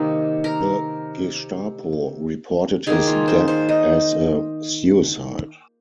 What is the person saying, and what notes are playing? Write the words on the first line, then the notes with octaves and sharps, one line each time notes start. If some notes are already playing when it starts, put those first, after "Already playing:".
The Gestapo reported his death as a suicide.
Already playing: C3 D#3 A#3 D#5
A#4
D#3 A#3 D#4 G#4
F4
C5
C5
D#5